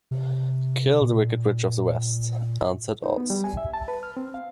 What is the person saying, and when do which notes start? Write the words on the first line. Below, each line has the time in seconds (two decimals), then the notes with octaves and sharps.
"Kill the wicked Witch of the West," answered Oz.
0.11 C3
1.01 A#2
3.03 D#4
3.17 B3
3.30 G3
3.44 G#5
3.57 E5
3.74 A5
3.88 B4
4.03 F6
4.17 C4
4.34 F5